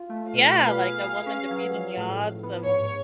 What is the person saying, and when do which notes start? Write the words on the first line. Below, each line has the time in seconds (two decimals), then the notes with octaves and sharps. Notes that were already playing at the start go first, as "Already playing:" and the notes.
Yeah. Like, a woman defeating the odds of,
Already playing: F4
0.09 A3
0.33 B2 F5
0.57 B4
0.80 G#4
1.03 G#4
1.26 C#4
1.50 F#3
1.73 F3
1.97 A2
2.19 A2
2.43 B3
2.66 G#2 C#5